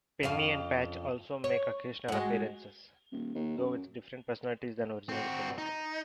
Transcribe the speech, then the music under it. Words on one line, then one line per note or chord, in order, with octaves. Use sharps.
Penny and Patch also make occasional appearances, though with different personalities than originally promoted.
F2 C#3 F5
C#5
G#3 F#4
D#1
D#2
F#2
C4 F#4
D#4